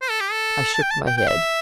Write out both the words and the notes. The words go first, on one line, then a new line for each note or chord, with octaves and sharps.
I shook my head.
C5
A4
G4
A4
A5
G5
A5
G5
G5
E5